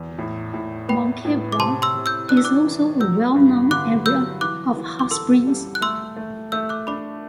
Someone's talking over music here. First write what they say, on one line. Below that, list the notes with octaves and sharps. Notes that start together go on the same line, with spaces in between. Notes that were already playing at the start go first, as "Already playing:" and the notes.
Moncagua is also a well known area of hot springs.
Already playing: E2
A2
A2
B3 G5 B5
A2
D6
C3 A5 C6
C6 E6
C3
E6 G6
D4 F#6
E6
D6 F#6
E3
F#3 E6 G6
G2
D3 D6 F#6
F#3 E6 G6
E3 D6 F#6
E3
D6
A4 C6 E6
G3
F#6
A3 C6 E6
A3
A3 E6 G6
D6 F#6
D4 B5 D6